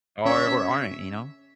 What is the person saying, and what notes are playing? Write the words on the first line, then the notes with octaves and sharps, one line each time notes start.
are or aren't, you know?
C#4 C#5 E5